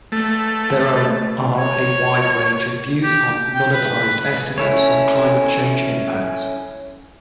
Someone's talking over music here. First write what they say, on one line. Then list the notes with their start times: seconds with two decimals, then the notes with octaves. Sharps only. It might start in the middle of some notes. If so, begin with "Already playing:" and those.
There are a wide range of views on monetized estimates of climate change impacts.
0.12 A3
1.58 C#5
3.03 G4
3.54 G5
3.73 B4
4.58 C#4 E4 A4 C#5